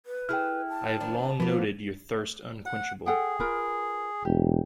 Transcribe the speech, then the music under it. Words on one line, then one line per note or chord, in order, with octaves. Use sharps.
I have long noted your thirst unquenchable.
B4
E4 G#4 G5 F6
A5
D#3 F3 D4
F3 A#3 B3
F#5
G#4 A4 F#5 G5
F4 A#4 B4
E1 G4